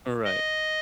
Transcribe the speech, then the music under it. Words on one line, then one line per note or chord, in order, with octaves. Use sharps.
Eh right.
D#5